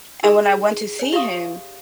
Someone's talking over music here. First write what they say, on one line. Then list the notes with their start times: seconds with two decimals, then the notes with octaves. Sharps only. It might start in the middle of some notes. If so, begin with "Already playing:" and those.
And when I went to see him
0.23 D#4 G4 G#4 A#4
0.99 C#5 G#5
1.13 G4 E5 F5 C6 C#6 D#6